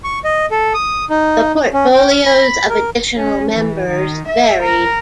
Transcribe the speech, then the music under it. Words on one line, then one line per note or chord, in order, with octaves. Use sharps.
The portfolios of additional members varied.
C#6
D#5
A4
D#6
D#4
C#4
G5
F6
B5
A#4
C#4
E3
D#3
E5
A#4